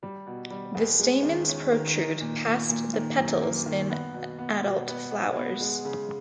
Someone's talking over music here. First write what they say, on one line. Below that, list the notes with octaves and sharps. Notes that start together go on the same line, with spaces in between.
The stamens protrude past the petals in adult flowers.
G3
B2
G3
E2
G#3
D#3
C#4
D#3
D#4
A#2
A#2
A#2
D#3
F#2
A#3
D#3
B3
B2
B3
B2
B3
B3
B3
G#3
C#3